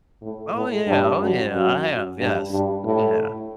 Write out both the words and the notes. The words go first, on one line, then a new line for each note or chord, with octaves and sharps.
Oh, yeah. Oh, yeah. I have, yes. Yeah.
A2
A2
G2
F#2
F#2
G2
G2
A2